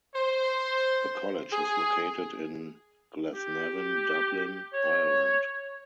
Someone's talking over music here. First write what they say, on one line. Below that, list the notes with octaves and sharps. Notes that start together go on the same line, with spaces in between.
The college is located in Glasnevin, Dublin, Ireland.
C5
G#4
G4
C#5